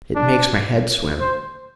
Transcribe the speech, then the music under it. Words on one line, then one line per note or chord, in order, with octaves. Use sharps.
"It makes my head swim."
D4
C5